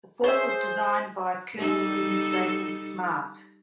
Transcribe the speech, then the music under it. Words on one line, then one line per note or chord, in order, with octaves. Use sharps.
The fort was designed by Colonel Reuben Staples Smart.
G#4 C5 C#5 E5
G3 D#4 A4